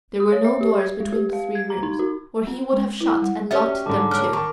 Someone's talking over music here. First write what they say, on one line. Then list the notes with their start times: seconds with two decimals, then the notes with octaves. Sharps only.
There were no doors between the three rooms, or he would have shut and locked them too.
0.20 D#6
0.32 C#5
0.44 E5
0.61 G4
0.79 G#6
1.00 G#3
1.12 G4
1.33 F5
1.55 G#6
1.70 A#5
1.83 D#4
1.99 F#4
2.47 C4
2.73 G#3
3.01 E4
3.22 G3
3.51 C#4 F#4 G4 C#5 D5 E5
3.86 G#2 D3 A5 D6
4.11 C#4 A#4 F6 F#6
4.33 D#3 A#4 A5 C#6